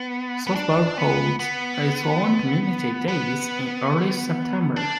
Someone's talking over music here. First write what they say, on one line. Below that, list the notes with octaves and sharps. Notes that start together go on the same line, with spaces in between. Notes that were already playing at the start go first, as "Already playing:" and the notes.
Saltsburg holds its own "Community Days" in early September.
Already playing: B3
B3
D4
B3
B3
B3
D4